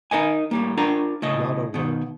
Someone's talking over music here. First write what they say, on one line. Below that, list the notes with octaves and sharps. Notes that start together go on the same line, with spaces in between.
Not a word.
D#4 A#4 D#5 G#5
A2 G3 A#3
D4 F4 A#4 A#5
A2 C#3 D#5
B2 D#3